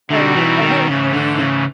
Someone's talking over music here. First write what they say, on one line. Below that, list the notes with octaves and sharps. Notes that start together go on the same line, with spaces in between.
So, every
B2 D3 G3 C4 D#4 F#4
E3
D#3
G#2 C#3 E3 A3
D3
C#3